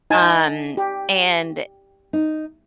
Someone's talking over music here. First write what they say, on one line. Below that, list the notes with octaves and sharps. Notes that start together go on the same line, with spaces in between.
um, and
D#4 G#5 A5
G4
D#4